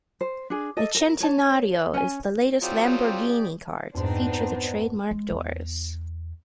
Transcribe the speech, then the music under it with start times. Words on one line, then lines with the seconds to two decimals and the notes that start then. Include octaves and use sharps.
The Centenario is the latest Lamborghini car to feature the trademark doors.
0.21 C5
0.50 D4 G#4
0.77 A4 D#5
0.95 A#4
1.20 C#5 A5
1.94 C#4 G#5
2.62 F#3 C4 F4 G4 G#4 D5
3.95 F2 G#2 B3 C4 D4 D#4
5.11 G#3
5.31 E2